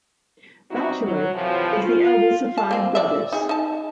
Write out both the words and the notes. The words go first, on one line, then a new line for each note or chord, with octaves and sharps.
Batchelor is the eldest of five brothers.
G3 B3 C4 D#4 E4 F#4
F#3
A2 C3 E3 F3
F4
A5
A#3 C4
D5 E5
D#4 G#4
D#4 A5